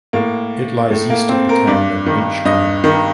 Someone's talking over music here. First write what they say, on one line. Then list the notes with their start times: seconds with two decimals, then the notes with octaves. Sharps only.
It lies east of the town of Winchcombe.
0.13 A2 A#3
0.90 A2 A3
1.10 A#3
1.29 C4
1.49 A#4
1.67 G2 D5
2.06 D#3
2.45 G2 D#5
2.84 D#3